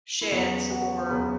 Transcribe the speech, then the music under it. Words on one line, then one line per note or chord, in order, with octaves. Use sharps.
sheds or
E4
E2 C#3 F#3 B3 F#4
F#4
E2 C#3 F#3 B3 B4